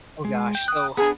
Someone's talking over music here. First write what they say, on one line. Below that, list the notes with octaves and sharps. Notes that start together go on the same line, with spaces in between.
Oh gosh, so,
G#3
G5
G5 D#6 F#6
B3 D4 G#4